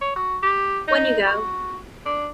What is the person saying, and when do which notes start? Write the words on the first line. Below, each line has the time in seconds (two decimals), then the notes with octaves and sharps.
When You Go!
0.01 C#5
0.16 F#4
0.42 G4
0.88 D#4
1.26 F#4
2.06 D4